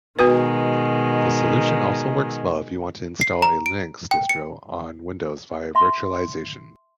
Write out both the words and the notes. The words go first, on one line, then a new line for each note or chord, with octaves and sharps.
This solution also works well if you want to install a Linux distro on Windows via virtualization.
B2 D#3 G#3 B3 F#4 B4
C7
A#5
D7
G5
C#7
E5 C6